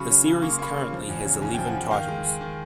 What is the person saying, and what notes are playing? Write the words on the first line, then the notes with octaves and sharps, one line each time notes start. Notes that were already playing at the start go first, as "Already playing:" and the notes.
The series currently has eleven titles.
Already playing: C#3 F#3 B5 C#6
C#3
C#3
A#3 C#6
C6
A#3 B5 C#6
C#3
F3
E2
C#3
E2 G#5
F3 G5
F#5 G#5
E2
D#3 F5 G5
G#3
G#3
D#3